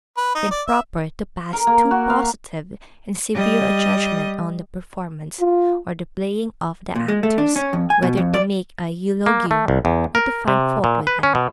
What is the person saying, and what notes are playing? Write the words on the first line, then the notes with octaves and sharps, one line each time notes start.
It is improper to pass too positive and severe a judgment on the performance, or the playing of the actors, whether to make a eulogium, or to find fault with them.
B4
D#4
D5
E5
A#4
A#3
F#4
F5
G3 D#5
F4
A#2
G#3
A3
D4
C#4
F2
G#5
B2
F2
D5
A#3
A3
C2
E2
A#4
C3
A#2
B4
C#4
B2